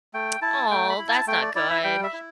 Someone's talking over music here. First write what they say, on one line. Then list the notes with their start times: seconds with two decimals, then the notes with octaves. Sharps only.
Oh, that's not good.
0.14 A3 G5
0.42 E4 A5
0.71 A3 G5
0.90 B5
0.99 E4
1.08 A5
1.27 A3 G5
1.42 D5
1.55 E4 D5
1.70 E5
1.84 G3 G5
2.03 E5
2.13 E4